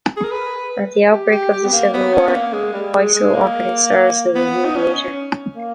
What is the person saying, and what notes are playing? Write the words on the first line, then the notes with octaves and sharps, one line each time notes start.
At the outbreak of the civil war, Piso offered his services as mediator.
G#4
A#4
B4
G4
G4
G4
B3
A#3
B3
C#4
B3
A#3
G#3
G3
G#3
G#3
A#3
B3
D#4
C#4
A#3